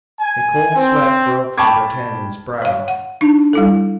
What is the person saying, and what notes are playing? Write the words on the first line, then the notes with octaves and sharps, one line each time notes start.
A cold sweat broke from d'Artagnan's brow.
G#5
C4
G5 A5 B5 C#6 D6 G#6
C#5 F5
F#5
D4 D#4
G3 E4 A4